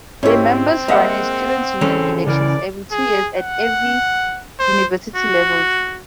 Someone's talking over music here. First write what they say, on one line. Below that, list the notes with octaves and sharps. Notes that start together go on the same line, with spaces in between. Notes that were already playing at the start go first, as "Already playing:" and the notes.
Their members run in students union elections every two years at every university levels.
G#2 C4 C#4 E4 G4 C#5
G#3 A#3 D#5 E5 F#5
E3 C#4 G#4 A4
C#3 E3 A#4 D5
G#4
F#5
C5
F#4